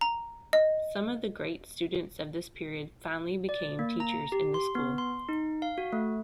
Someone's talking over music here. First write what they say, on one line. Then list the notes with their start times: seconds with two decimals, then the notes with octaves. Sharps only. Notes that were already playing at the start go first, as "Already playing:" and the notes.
Some of the great students of this period finally became teachers in the school.
0.01 A#5
0.53 D#5
3.49 D5
3.79 A#3
4.00 A#5
4.32 G4
4.54 C6
4.75 B3
4.98 C6
5.29 D#4
5.62 F5
5.78 F#4
5.93 A3